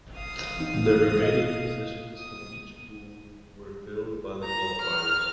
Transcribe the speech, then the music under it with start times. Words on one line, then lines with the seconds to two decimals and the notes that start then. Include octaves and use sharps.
The remaining positions in each pool were filled by the qualifiers.
0.14 F5 D#6
0.58 E2 D#4
1.23 D#5
2.18 D#6
4.43 A#5
4.80 F6